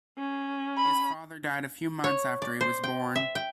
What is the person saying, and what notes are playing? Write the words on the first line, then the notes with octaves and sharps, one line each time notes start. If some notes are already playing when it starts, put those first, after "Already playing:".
His father died a few months after he was born.
C#4
B5
C#5
D5
C5
G5
E5
G5